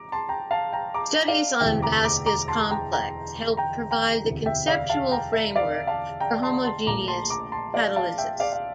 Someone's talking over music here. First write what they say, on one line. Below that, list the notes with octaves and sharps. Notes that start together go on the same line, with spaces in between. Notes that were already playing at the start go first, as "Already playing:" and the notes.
Studies on Vaska's complex helped provide the conceptual framework for homogeneous catalysis.
Already playing: A#5 D6
A5 C6
G5 A#5
F5 A5
G5 A#5
A#5 D6
D5 F5
E1 D2 C3 E3 A3 E5 G5
A#5 D6
A#5 D6
A#5 D6
A5 C6
G5 A#5
G5 A#5
G5 A#5
G5 A#5
E1 D2 C3 E3
E5 G5
D5 F5
F5 A5
G5 A#5
E5
D5 F5
F5 A5
G5 A#5
A5 C6
A5 C6
A#1 A#2 A3 A#5 D6
A5 C6
A#5 D6
A5 C6
D5 F5
F5 A5
E5 G5
D5 F5
F5